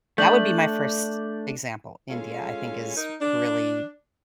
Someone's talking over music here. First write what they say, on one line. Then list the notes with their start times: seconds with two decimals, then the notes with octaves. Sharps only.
That would be my first example. India, I think is really
0.18 A3 D4 G6 F#7
2.10 G#3 C#4 F4 A4 F5
2.96 D#4 A#4
3.21 D4